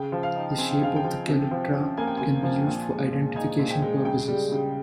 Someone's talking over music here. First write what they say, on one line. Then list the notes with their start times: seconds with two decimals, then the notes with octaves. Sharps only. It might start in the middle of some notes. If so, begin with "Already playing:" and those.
The shape of the calyptra can be used for identification purposes.
Already playing: C#3 G5
0.12 F3
0.23 F5
0.35 D#4
0.58 C4 G#5
0.71 G5
0.82 C#3 F5
0.96 G5
1.04 F3
1.28 C3
1.51 F3
1.74 C#4
1.97 A#3 G#5
2.07 G5
2.17 C3 G#5
2.43 F3
2.67 A#2
2.90 G#3
3.12 A#2
3.36 D#4 G#5
3.59 A#2
3.71 G5
3.82 G#3
4.05 C#3 G5
4.28 G3
4.52 C#3